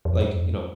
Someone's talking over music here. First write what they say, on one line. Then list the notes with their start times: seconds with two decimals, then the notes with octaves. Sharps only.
like, you know,
0.05 F2
0.21 G2
0.36 F2